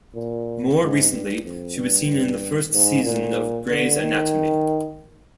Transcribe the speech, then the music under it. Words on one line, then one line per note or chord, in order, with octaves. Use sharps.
More recently, she was seen in the first season of "Grey's Anatomy".
A#2
G#2
G2
F2
G2
G#2
A#2
D3
D#3